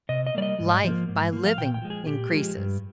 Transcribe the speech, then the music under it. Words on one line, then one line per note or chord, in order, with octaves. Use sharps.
Life, by living, increases.
C3 D#5
D#5
G3 A#3 D5
D#5
G#2
F3 A#3
G#2
F3 A#3
F5
A#2 G5
G5
F3 G#3
G#4
A#2 G4
F3 G#3
G2